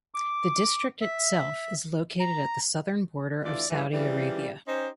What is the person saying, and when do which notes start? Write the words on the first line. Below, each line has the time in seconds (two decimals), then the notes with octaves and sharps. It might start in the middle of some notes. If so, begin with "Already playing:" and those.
The district itself is located at the southern border of Saudi Arabia.
0.14 D6
1.01 E5
2.20 A#5
3.45 D2 E3 E4 F4 D5
3.70 G2 E3
3.93 C#3 E3 F3 G3
4.67 C#4 D#4 G4 C5